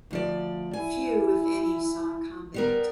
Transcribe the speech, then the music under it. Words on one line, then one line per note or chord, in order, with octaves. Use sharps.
Few, if any, saw combat.
D2 F3 D5
E4 G#5
G3 B3 A#4